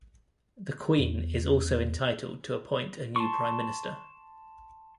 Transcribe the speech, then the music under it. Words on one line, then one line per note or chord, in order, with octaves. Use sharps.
The Queen also is entitled to appoint a new Prime Minister.
E2
A5 C6 C#6